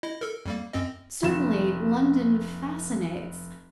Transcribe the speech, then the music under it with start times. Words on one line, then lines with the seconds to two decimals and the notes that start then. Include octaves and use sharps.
Certainly London fascinates.
0.03 E4 D#5
0.21 A4 A#4
0.45 F2 G3 A#3
0.73 F#2 C4 D#5
1.23 F1 E7